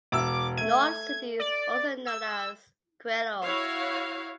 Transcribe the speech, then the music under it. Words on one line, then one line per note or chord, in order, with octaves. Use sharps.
North City is also known as "Coello".
E1 D6 E6
A3 G#6 D#7
D5
E6
E4 F#4 C#5 F5